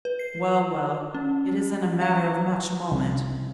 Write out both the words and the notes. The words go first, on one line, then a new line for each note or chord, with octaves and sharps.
'Well, well; it isn't a matter of much moment.
B4
C7
C#4
F5
C2